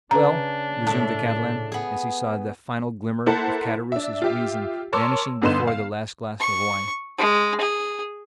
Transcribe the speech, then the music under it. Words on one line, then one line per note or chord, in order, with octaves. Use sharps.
"Well!" resumed the Catalan, as he saw the final glimmer of Caderousse's reason vanishing before the last glass of wine.
C#3 D4 B4 A#5
A2 E5 A5
B3 G#4
A#3 E4 A4 C5 F#5 A5
D4 E5
F4 G4 E5
A#4 C#5 A5 C6 D6 E6
G1 D3 B3 D#4 C6 E7
F5
C#6
G#3
G#4